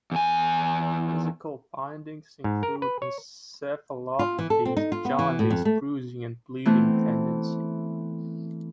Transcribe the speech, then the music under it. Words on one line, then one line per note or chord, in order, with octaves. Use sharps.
Physical findings include encephalopathy, jaundice, bruising and bleeding tendency.
E2 G#5
G#2
A#4
B4
C#5
F4
E3
A4
C4
D#4
F4
B3
E3
A2
F2
A3
E3 A3 B3 C4